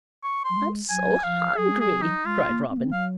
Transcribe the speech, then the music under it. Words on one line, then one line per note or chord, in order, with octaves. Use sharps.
"I'm so hungry," cried Robin.
C#6
C6
F#3
G#3
F#3 G#5
F3 F5
F#3 G#4
G#3
G#4
F#3
D#4
G#3 F4
A#3
C4
A#3
C4
F#3 F5